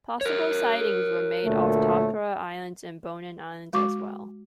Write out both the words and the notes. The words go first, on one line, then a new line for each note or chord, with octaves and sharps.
Possible sightings were made off Tokara Islands and Bonin Islands as well.
A#4 C#5
D2 A#2 A3
G#3 F#4 C#6 D6